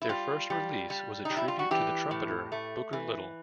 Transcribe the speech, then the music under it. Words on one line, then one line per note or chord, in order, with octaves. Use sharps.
Their first release was a tribute to the trumpeter Booker Little.
E4
G3 F4
G3
G3
D#4
G3
E4
F4
F#4
E3 G4
A2
A3
E3